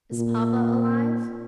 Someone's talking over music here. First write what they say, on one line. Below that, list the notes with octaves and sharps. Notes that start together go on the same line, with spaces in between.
Is papa alive?'
A#2